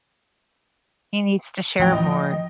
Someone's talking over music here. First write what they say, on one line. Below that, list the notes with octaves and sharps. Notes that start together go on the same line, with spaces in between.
he needs to share more."
A1 F3 G5
D#5